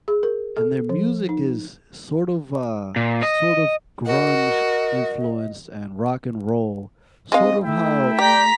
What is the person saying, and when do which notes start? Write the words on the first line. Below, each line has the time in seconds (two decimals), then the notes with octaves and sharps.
and their music is sort of, uh sort of grunge influenced, and rock and roll, sort of how,
0.08 G#4
0.23 A#4
0.57 A4
0.89 F3
1.29 D#4
2.96 A#2
3.23 D#5
4.06 F#4 A#4 D#5
7.32 G#3 C4 D#5 F5
7.63 A3 E4 E5 G5
8.19 G4 D5 G5 A#5 B6